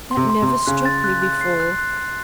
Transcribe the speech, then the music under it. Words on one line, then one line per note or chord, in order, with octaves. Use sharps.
"That never struck me before."
C6
C3
C6
C3
C6
C#3 F#6
A6
F#6
F#6
C7
F#6
F#6
F#6